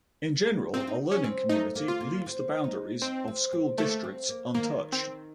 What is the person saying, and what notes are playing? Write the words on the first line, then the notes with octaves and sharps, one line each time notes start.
In general, a learning community leaves the boundaries of school districts untouched.
C4 D#4
F4
D#4
C#4
C4
A3 D#4
A#3
F4
A#3
C4
D#4
C4 D#4
C4
C4
A3 A#3
C4
A#3
D#3 A#3
C4